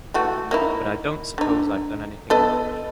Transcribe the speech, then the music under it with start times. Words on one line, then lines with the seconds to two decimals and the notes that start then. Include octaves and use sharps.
But I don't suppose I've done anything much.
0.14 E3 A3 F#4
0.51 A#3 D#4 E4
1.38 D3 D#4
2.30 B3 A4 D#5